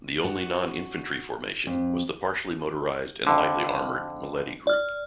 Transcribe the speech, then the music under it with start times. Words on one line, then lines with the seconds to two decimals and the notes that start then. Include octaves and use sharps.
The only non-infantry formation was the partially motorised and lightly armoured Maletti Group.
0.25 F#4
1.67 F2
3.27 F2 D3
4.67 D5 F6